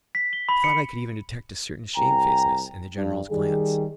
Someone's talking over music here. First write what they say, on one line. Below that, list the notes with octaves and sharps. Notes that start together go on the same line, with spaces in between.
I thought I could even detect a certain shamefacedness in the General's glance.
B6
G7
B5
C#7
C2 G5 G#5 A#5
G2
D#3 G3 G#4